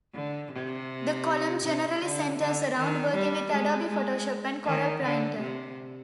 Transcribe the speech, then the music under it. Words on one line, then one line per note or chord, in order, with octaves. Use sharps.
The column generally centers around working with Adobe Photoshop and Corel Painter.
D3
C3
C3
D3
D3
D#3
G3
G#3
G#3
D#3
D3
C3